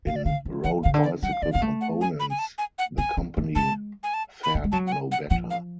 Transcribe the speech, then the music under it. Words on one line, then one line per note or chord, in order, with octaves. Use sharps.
In road bicycle components, the company fared no better.
C#3 F5
D5
D3 F5
F3
F3 F#5
C#3 F5
D3
D5
F#3 F#5
F5
F3 D5
B3 F5
A3
F#5
G#5
B5
G#5
A5
G#5
F#5
B3 G#5
C#4
A3
G#3 A5
G#5
A5
B5
A3
G#3
F#3 A5
F#5
G#5
F#5
F3 F#5
F5